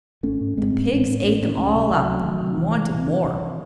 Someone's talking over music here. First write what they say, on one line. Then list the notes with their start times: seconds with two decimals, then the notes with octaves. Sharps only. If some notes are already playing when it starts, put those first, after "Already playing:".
The pigs ate them all up, and wanted more.
0.23 G#1 A3 C#4
0.41 G#2
0.57 G#1 G#3 C4
0.74 G#2
0.91 A1
1.07 A2
1.24 A1 C#4
1.41 A2 A3 C#4
1.57 C#2 A3 C#4
1.75 C3
1.90 C#2 F#3 A3
2.07 C3
2.24 C2 D#3 F#3
2.41 C3
2.57 C2 E3
2.74 C3
2.90 C2
3.07 C3
3.24 C2
3.40 C3